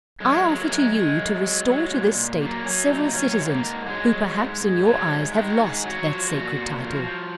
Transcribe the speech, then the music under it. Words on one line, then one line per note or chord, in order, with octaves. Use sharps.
I offer to you to restore to this state several citizens, who perhaps in your eyes have lost that sacred title.
F#2 G#3
F#3 A#3
G#3
A#3
F#2 G#3
D#3 G#3
F#2
F#3
F#3
A#2
A#2
F#3 A#3
F#3 C#4
A#2 D#4
F#3 C#4
F#3
G#2 G#3
A#3
G#2
F#3 G#3
F#3
G#2
G#2
F#3
G#2
D#3 G#3
F#4
G#2
G#4
F#3
F#4
F3
A#2
A#2
F3
F3